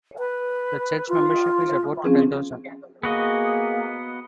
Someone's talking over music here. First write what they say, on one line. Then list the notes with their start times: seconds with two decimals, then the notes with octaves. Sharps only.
The Church's membership is about ten thousand.
0.18 B4
1.09 F4
2.04 F3 C4 C#4 G#4
3.03 A#3 B3 F#4 G#4 D#5